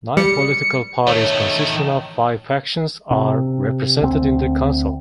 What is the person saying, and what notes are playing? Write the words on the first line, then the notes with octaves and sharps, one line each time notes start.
Nine political parties consisting of five factions are represented in the Council.
G3 C#7
D#3 A3 C#5
C3
D2 C4